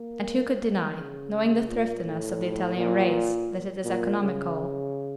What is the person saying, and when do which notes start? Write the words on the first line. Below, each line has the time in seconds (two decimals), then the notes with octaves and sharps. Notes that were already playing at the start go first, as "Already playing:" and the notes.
And who could deny, knowing the thriftiness of the Italian race, that it is economical?
Already playing: A#3
0.60 A#3
0.96 C#3
1.68 A#2
2.04 A2
2.76 A#2
3.84 A#2
4.21 C#3